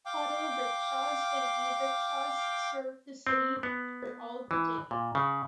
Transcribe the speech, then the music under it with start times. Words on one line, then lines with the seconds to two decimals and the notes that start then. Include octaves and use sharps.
Auto Rickshaws and E Rickshaws serve the city for all the day.
0.06 F5 G5 D6
3.27 C4
3.63 B3
4.51 E3
4.91 A#2
5.15 C#3